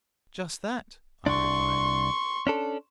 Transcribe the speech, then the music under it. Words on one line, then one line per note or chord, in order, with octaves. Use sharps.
"Just that," I replied.
C2 D4 C6 C#6
C#4 D4 A4